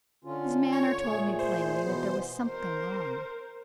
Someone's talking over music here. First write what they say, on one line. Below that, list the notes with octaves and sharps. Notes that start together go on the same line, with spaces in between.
His manner told me plainly that there was something wrong.
D3 C#4 F4
C#5
A#2 A3 G#4
C5
B2 E3 B3
A#4 C5